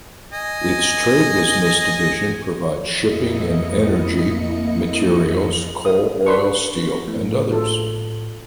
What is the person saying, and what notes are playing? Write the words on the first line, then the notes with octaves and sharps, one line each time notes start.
Its trade business division provides shipping and energy materials, coal, oil, steel and others.
D#5 G#5
F2 A#3 E4 D#5 C#7
D#6
D4 B4 C6 C#6
A2
F4 A4